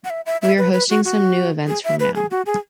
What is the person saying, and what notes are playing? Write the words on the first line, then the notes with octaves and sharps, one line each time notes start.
We are hosting some new events from now.
F#5
E5
E5
E5
B4
B4
F#4
F#4
G#4
E5
B4
G#4
F#4
G#4